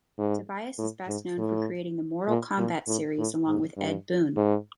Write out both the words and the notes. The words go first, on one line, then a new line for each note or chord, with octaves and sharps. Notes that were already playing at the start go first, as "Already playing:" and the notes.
Tobias is best known for creating the "Mortal Kombat" series along with Ed Boon.
G#2
A2
G#2
A2
A#2
A#2
A2
A2
G#2
G2
G#2